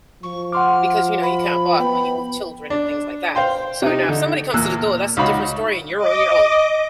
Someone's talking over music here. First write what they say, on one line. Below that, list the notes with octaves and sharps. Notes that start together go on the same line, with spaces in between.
because, you know, you can't bark when you're with children and things like that. So, now if somebody comes to the door, that's a different story, and you're on your own,
F3 C#6
F#5 C6 D6 F6
B5
B3 G5 B5
D4
C5 F5 G5 C6
C3 D#4
D3 D#4
E2 A#2 A#3 E6 F#6
C#2 D#4 F#4 F5 B5
D#5 D6